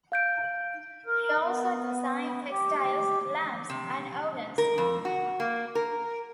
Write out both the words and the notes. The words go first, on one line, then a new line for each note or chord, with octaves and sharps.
He also designed textiles, lamps and organs.
F5 G6 D7
A#4
B3
G4
C3
A#4
F2
F#4
A#3
A#4